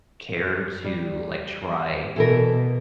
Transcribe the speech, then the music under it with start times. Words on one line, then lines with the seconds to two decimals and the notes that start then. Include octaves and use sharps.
care to, like, try
0.84 G3
2.16 B2 E3 A4 A#4